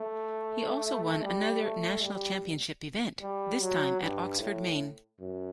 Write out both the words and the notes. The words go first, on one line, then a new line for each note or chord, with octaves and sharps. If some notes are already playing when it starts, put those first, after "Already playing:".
He also won another National Championship event, this time at Oxford Maine.
Already playing: A3
G3
A3
G3
G3
F#3
G2
A2
F#2